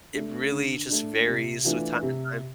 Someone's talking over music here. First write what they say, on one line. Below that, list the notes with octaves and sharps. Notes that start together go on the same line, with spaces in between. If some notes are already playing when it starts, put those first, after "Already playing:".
it really just varies with time to time.
A3 D4
D3
A3 D4
C3
E3 A3 D4 F4
C3